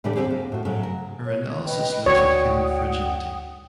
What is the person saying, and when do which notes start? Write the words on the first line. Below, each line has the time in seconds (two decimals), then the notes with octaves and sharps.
Her analysis looks at human fragility.
0.04 A2 C#3 E3 D4 G4
0.16 D#2 F#3 C4 G4 G#4
0.30 A#3
0.52 A2 F#4
0.65 A2 C#3 F#3
0.83 A#4
1.24 C#5
1.64 B4 D#5 G5
2.06 D2 F#4 C#5 D5 F#5 G5 D#6